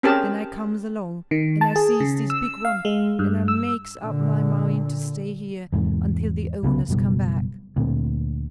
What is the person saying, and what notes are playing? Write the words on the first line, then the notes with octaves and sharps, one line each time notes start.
Then I comes along, and I sees this big one, and I makes up my mind to stay here until the owners come back.
C4 C#4 G4 G#4 A#4 A5
D#3
A5
G#4
C#3
E6
F5
G#3
G2
E6
A#2 D3
E2 G#2 C3
C2 C#3 G#3 B3
F#1 B2 G3
D2 A#2 C4